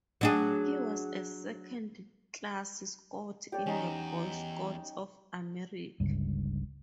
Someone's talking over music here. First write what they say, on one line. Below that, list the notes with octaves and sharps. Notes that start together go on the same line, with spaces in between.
He was a Second Class Scout in the Boy Scouts of America.
F#3 D4 G#4
G4 C#5 D5
E2 C#4 D#4
G1 C#2 G2